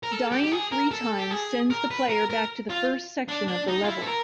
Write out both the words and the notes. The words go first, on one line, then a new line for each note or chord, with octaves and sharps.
Dying three times sends the player back to the first section of the level.
A#4
A4
G4
G4
G#4
A#4
A4
G4
G#4
A#4
B4
A#4
A#4
F4
D4
D4
D#4
F4
E4
A4
A#4